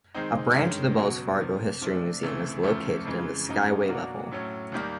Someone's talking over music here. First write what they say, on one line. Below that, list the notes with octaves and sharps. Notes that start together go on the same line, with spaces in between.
A branch of the Wells Fargo History Museum is located in the skyway level.
D#3 G#3 C4 D#4
G2 D#3 G#3 C#4
C#2 B2 F#3
E2 C3 F3
C3 F3 A3 D4
C#2 C3 E3 A3
E2 C#3 F3 A3
F2 C#3 E3 G#3
F#2 C#3 F#3 A#3 D#4
B2 F#3 A#3 D4 F#4
A2 F#3 A3 C#4
D#2 D#3 G3 A#3